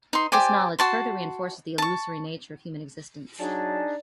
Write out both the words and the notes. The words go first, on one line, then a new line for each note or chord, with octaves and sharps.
This knowledge further reinforces the illusory nature of human existence.
D#4 C6
G4 C5 D5 G#5
F#4 A5 C6
A5 C#6
F#3 D4 D#4 G#4 D5 G#5 A5